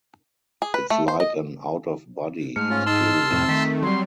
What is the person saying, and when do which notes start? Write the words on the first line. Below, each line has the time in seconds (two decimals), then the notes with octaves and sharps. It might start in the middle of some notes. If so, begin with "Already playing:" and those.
It's like an out-of-body experience.
0.62 G#4
0.74 B4
0.90 A3
1.08 C5
1.20 D#5
2.56 G#2 A3 F6
2.70 C#4 F4
2.86 D#4 D#5 A5 C6 E6
3.31 F2 A2 C3 C4
3.48 D#3 A3 B6
3.82 F#3 G3 C6